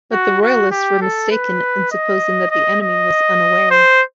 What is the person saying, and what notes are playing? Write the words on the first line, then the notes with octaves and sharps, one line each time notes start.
But the Royalists were mistaken in supposing that the enemy was unaware.
F#4
F#4
G4
A4
B4
D#5
D#5
D#5
C5